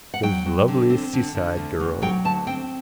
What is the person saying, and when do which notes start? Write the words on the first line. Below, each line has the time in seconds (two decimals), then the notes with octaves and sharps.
Those lovely seaside girls.
0.14 F#5
0.23 F#3 G5
0.46 F#3
0.68 D3
0.90 C4
1.13 D3
1.35 D3
1.57 D2
1.80 D2
2.02 F#3 G5
2.24 D2 A5
2.47 C4 G5